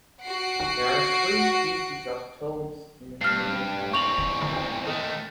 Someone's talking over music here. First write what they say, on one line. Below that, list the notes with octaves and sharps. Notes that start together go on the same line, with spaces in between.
There are three species of toads in Minnesota.
F#4 F#5 C7 D7
G2 F6 C7
E2 C4 C#6 F7 F#7
D#3 A3 A4